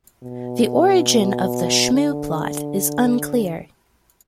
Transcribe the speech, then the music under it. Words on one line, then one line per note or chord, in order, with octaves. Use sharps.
The origin of the shmoo plot is unclear.
B2
D3